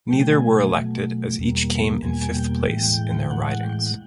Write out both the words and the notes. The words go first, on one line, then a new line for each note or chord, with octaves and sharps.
Neither were elected as each came in fifth place in their ridings.
B2 F#3 A3 G5
G#5
B2 F#3 A3
E2 B2 G3 A#3
E2 B2 G3 A#3 G#5
G5
A2 E3 G#3
A2 E3 G#3 F#5
G5
F#5